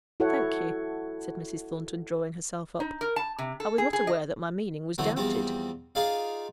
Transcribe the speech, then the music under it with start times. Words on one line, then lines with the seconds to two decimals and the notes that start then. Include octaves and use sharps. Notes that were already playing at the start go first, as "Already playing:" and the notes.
'Thank you,' said Mrs. Thornton, drawing herself up; 'I was not aware that my meaning was doubted.
0.20 E4 F#4 A4 C#5 F#5
2.80 D#4
3.01 A#4
3.16 A5
3.38 C3
3.60 A4
3.78 G#4
3.93 G#4
4.07 D#5
4.98 E2 D3 E3 F#3 C4
5.17 E2 F3 G3 C4
5.95 D#4 F4 G#4 D5 F5